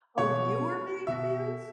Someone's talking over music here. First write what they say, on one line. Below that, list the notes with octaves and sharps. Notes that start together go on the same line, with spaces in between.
Oh, you were being abused?
B2 C#5
B2 E5